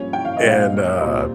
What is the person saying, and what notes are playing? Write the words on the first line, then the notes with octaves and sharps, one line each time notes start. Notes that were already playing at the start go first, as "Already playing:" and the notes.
And, uh,
Already playing: G2 F3 A#3 C#4 C#5
G5
F5
D#5
A#2 G#3 C4
F5
A#2 G3 C4 C5